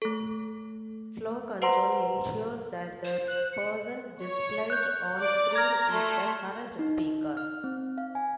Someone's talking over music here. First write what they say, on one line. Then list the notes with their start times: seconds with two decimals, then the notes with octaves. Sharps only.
Flow control ensures that the person displayed on screen is the current speaker.
0.02 A3 A4
1.62 B4 C5 F#5 A#5 C6
3.05 C5
3.28 F#6
3.53 C#7
4.22 C#5
4.70 F#6 G6
5.20 D5 D6
5.56 A#5 F6 G#6
5.90 A3 C6
6.79 D#4
7.37 F6
7.64 C4
7.98 F5
8.15 G#5